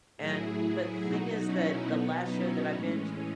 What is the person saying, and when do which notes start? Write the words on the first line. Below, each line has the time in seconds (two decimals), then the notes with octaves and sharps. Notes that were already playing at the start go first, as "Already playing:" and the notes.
and But the thing is that the last show that I binged
0.17 A2 F#3 E4 G#4
1.02 B2 F#3 D#4 F#4
1.45 C#4 E4
1.87 B2 F#3 B3 D#4
2.29 C#4 E4
2.72 A2 E3 G#3 C#4